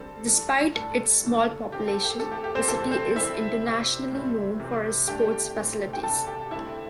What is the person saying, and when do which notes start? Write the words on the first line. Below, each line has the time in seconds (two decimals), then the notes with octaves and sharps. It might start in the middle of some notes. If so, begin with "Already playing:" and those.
Despite its small population, the city is internationally known for its sports facilities.
Already playing: D3 G3 C4 A4
0.27 E3 A3 D4
0.75 A2 G3 D4 A4
1.23 A2 E3 A3 D4
1.72 D3 C4 G4
1.88 A4
2.04 G4
2.19 E3 A3 C4 A4
2.32 G4
2.44 G4
2.55 C4 C5
2.68 E3 A3 C4 A4
2.91 C4 C5
3.15 E3 G3 C4 E4 E5
3.64 C3 G3 C4
4.11 A2 G3 C4
4.60 C3 E3 G3 C4
5.07 D3 A3 D4 G4 G5
5.56 A2 A3 C4
5.93 G5
6.03 C3 G3 D4 A4 A5
6.27 G4 G5
6.51 D3 A3 C4 E4 E5